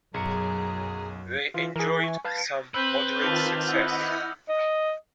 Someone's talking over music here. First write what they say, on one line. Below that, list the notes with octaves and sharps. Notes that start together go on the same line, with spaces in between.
They enjoyed some moderate success.
B1 F#2 F#3 G#4 A#5 C#7
E3 F4
E3 G#4 A#4
G#5 C#6
B4 F5 A5
C4 B4 E6 G6
D#3 F4 A5 D6 F6 F7
E4 D#5 F#5 E6 G6
D#5